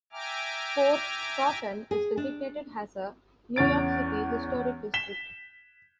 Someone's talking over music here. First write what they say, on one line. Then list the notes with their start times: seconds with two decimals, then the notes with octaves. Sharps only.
Fort Totten is designated as a New York City Historic District.
0.12 E5 G5 G#5 A#5 D6 F6
1.91 G#4
2.17 D4
3.56 E2 C#4 A6 D7
4.94 B6 E7 G7